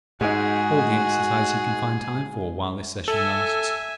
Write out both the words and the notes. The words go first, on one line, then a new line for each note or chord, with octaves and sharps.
It's all the exercise he can find time for while this session lasts.
G#2 G#3 D#4 F#4 G#4
A4 E5 G#5